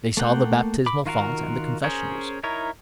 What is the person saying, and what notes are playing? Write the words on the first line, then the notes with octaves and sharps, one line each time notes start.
They saw the baptismal font and the confessionals.
A3 A#3 F#5 G5
B5 D6
D#3 F4 F#4 A#4 F5
C#4 G#4 A#4 C5 C#5
D#4 E4 A#4 C#5